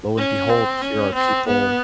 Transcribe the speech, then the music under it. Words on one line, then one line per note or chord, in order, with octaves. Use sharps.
lo and behold, here are people,
C#4
C4
C#4
C4
B3